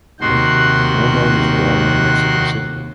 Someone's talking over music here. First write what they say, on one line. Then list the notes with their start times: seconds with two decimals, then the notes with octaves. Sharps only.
Romo was born in Mexico City.
0.21 D#2 C3 D#3 F#4 C6 F#6